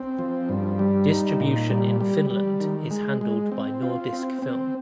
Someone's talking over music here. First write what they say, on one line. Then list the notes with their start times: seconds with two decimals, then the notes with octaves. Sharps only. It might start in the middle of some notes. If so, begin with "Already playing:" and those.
Distribution in Finland is handled by Nordisk Film.
Already playing: C4
0.19 F3
0.49 G2
0.79 G3
1.09 D#4
1.40 A#2
1.69 G3
2.01 G3
2.30 G3
2.60 D#3
2.91 G#3
3.21 G#3
3.52 C4
3.82 F4
4.13 C4
4.42 C4